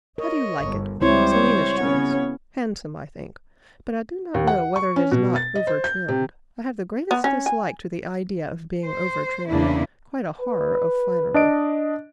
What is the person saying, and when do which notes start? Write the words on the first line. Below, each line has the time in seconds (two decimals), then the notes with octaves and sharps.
How do you like it?--Selina's choice--handsome, I think, but I do not know whether it is not over-trimmed; I have the greatest dislike to the idea of being over-trimmed--quite a horror of finery.
0.18 A#4 C#5 D#5
0.61 G1
1.02 C#2 G3 C4 E4 C5 C#5
1.32 C#5
1.77 C#3 B3 C#4 F#4
4.34 D#2
4.47 F#5
4.76 C#6
4.96 C#4
5.12 B2
5.36 A6
5.55 D#5
5.67 C5
5.84 G6
6.08 C3
7.11 B3
7.24 C#4
7.46 G#5
8.85 C5
9.48 E2 C#3 A#3 D4 E4
10.40 B4
11.34 D4 D#5 D7